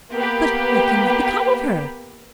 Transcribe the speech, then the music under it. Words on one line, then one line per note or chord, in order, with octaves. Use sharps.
"But what can have become of her?"
A#3 B3 G4 B4